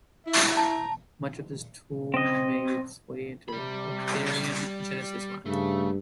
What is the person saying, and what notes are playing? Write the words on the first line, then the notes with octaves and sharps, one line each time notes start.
Much of this tooling made its way into the Athearn Genesis line.
E4 E5
A5 A#5
C4 D#5
C3 G3 B5
G2 C#3 A3 A4